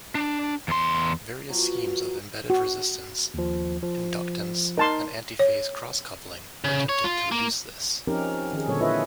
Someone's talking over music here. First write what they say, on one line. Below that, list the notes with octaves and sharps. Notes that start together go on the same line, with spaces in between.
Various schemes of embedded resistance, inductance and antiphase cross-coupling were attempted to reduce this.
D4
E2 C6
B2 F3 F#3
F#4
D#2 F3
F3
D#4 A#4 A5 C6
C#5
C#3
C#5
F4
A#3
F3 C4 C#4 D#4 G4 A#4
D#3 C#4 G#4
A#2 D3 F#3 C4 A4 C#5
E4 F4 B4 C#5 D#5 E5